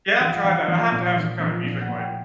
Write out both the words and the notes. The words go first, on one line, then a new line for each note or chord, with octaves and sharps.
Yeah, I've tried that. I have to have some kinda music, like,
F3 F5
F#5
F5
F3
F3
A#2
F3
F3
A#2
F#5
A#2
G5